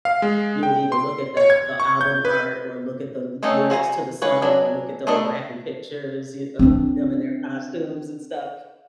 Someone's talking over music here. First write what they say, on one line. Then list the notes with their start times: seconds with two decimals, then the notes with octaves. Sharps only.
you would either look at the the album art, or look at the l lyrics to the song, or look at those wacky pictures you of them in their costumes and stuff.
0.05 F5
0.22 G#3
0.63 G5
0.92 C6
1.37 C#5
1.50 G#6
1.80 C#6
2.01 G6
2.25 B4
3.43 A3 C4 C#4 D#4
3.70 F#4 C5 G#5 A#5
4.22 G#3 B4 C#5
4.42 F#3 D4 G#4
5.07 A3 B3 D4 A#4 D#5
6.59 C4 D4